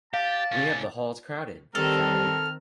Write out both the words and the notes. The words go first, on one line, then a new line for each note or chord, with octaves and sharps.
We have the halls crowded — shouting.
G4 D5 F5 A5
C2 C#4
D#3 G3 C4 A4 A#4 F6